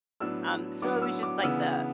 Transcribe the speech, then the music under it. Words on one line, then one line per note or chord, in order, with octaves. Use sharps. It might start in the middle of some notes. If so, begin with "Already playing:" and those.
um, so it was just like the
A2 F#3 B3 D4 E6
A2 F#3 B3 D4 D6
E6
D6
C#3 E3 B3 D4 E6